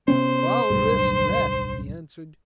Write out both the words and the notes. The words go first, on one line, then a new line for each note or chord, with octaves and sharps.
"I'll risk that," he answered.
C3 B3 C#4 C5
D1 B1 G2